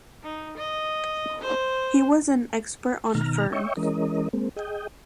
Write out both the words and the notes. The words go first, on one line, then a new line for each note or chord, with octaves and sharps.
He was an expert on ferns.
D#4
D#5
C5
B2 D#3 A#5 F6
C#5 D#5 E5 G5 C#6
E3 G#3 C#4 A#4 D#5
G#3 A#3 C4
G#4 D#5 G5